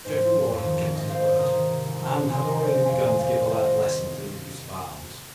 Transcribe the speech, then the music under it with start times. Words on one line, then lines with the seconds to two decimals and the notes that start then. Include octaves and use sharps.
Geoffrey Ward had kept his word, and had already begun to give the lad lessons in the use of arms.
0.04 G#2 C5
0.19 F3
0.35 F3
0.49 F2
0.64 D#3
0.80 D#3
0.94 G#2 D#5
1.10 G#2 C5 F5
1.25 G#2
1.39 C3 A#5 D#6
1.54 D#3
1.69 D#3
1.85 C2
1.99 F3
2.15 C2
2.29 C3 G#5 C6
2.43 C2 D#5
2.59 F3 C5
2.73 C3 D#5
2.82 G#5
2.88 F2 C5 F5
3.03 D#3 D#5 G#5
3.18 C2 C5 F5
3.34 C2
3.48 C2 C5
3.64 D#5